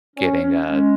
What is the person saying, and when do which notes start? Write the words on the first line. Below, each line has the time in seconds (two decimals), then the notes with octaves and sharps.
getting a,
0.16 C#4
0.41 C#4
0.66 G#3